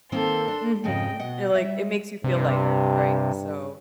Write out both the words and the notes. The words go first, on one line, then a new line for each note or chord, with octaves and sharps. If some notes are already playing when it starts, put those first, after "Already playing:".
Mhm, it, like, it makes you feel lighter, right? So
D#3 A#3 C4 A4 C6
D4
F2 G#2 C#3 D#5 G5
B2 D#5 F#5
G3 E5
G2 C3